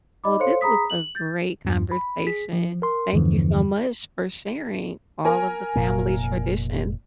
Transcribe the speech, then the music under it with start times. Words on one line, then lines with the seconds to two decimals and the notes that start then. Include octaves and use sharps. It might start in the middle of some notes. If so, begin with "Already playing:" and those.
Well this was a great conversation, thank you so much for sharing all of the family traditions.
0.24 D#4 D5 D#5 B5 D6
0.40 A4 C5 C#5 F5 C6 C#7
0.61 G#4 A#5 B5 D#6 B6
0.90 F#7
1.15 G6 A6
1.65 E2 G2
1.92 B5
2.27 G#4 B6
2.53 F3
2.82 A#4 C6
3.13 E2 G2 D3 E3 F3
5.25 A#4 G#5
5.75 F1 A#2 A#3